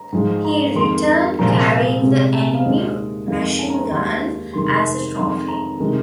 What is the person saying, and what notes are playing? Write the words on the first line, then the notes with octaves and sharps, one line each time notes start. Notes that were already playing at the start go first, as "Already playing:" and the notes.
He returned carrying the enemy machinegun as a trophy.
Already playing: A#5
G#2 F3 G#3
A#5
F2 D#3 G#3 C6
C2 A#2 F3 G#3 A#5
G#5
G#5
F5
C2 C3 G#3
A#5
G#5
F5
D#2 D#3 G#3 D#5
F2 D#3 G#3 F5
G#5
A#5
A#5
D#2 D#3 G#3 C6
F2 C3 D#3 G#3 C6
C6
C6
F2 D#3 G#3 C6
A#5
C3 D#3 G#3